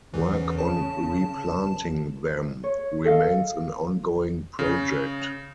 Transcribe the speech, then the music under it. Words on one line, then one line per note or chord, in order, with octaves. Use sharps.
Work on replanting them remains an ongoing project.
E2 C#3 E3
A5
C#5
A4 D#5 F5
C#3